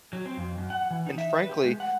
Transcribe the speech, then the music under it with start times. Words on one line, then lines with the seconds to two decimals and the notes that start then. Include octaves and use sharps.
and frankly,
0.13 F#3
0.26 C4
0.37 F2
0.58 F#2
0.70 F#5
0.90 E3
1.06 D#4
1.18 E5
1.38 B4
1.49 G4
1.65 G#3
1.80 F#5